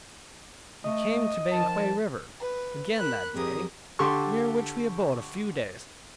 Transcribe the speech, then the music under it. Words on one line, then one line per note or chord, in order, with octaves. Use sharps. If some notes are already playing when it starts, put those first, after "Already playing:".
We came to Banquang river again that day, near which we abode a few days.
A3 D#5
D#3 F3 A5
B4
A#4 B5 F#6
F2 G4 G#4 A#4 D#6
D3 G4 A4 C6 C#6